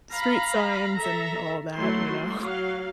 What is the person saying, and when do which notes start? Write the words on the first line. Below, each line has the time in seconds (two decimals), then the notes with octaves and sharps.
street signs and all that, you know.
0.10 F5 A#5 B5
0.94 A4 E5 A#5
1.74 F#3 A3 E4 C6
2.40 F#3 F5